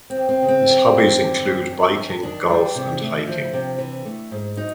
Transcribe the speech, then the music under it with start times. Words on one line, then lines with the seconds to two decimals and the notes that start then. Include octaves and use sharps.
His hobbies include Biking, Golf and hiking.
0.10 C4
0.15 D#2
0.29 C4
0.42 C#3
0.48 C4
0.68 F#2
0.94 F#2
1.20 D3
1.46 F#2
1.71 F#2
1.97 F#2
2.23 D#3 D4
2.50 G3
2.76 C3
3.01 A3
3.27 F3
3.53 C3
3.79 E3
4.05 A3
4.31 G#2
4.56 F#3 D#4